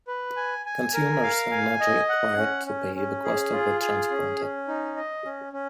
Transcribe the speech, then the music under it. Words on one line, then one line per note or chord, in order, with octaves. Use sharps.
Consumers are not required to pay the cost of the transponder.
B4
G#5
G#5
A#4
F5
G#5
D#5
F#5
C#4
C#4
C#4
G#4
F4
G#4
C#4
C#4
D#4
D#5
C#4
C#4